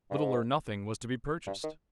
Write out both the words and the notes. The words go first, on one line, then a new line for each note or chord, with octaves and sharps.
Little or nothing was to be purchased.
G2
G#2
G2
D#3